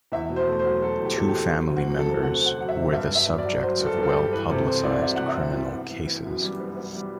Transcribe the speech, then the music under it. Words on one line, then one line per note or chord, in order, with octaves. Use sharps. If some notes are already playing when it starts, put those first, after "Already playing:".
Two family members were the subjects of well-publicized criminal cases.
E2 E5
B2
C5
A3
C5
F#3
F#3 A4
E2
G4
E2 A4
G4
E2
F#3
D2
F#4
F#3
A4
C3
D2 F#5
C4
F#5
F#3 F#5
E5
C3
G2 E5
G2
E5
G2
D5
F#3
F#3 C5
G2
A4
G2
A4
G4
G2
E3 B4
C3 A4
E3 C5
C2 D5
E3 E5
C2 F#5
E5
C3
C2
B3
E3
B3
F#2
G3
B3
B3
G3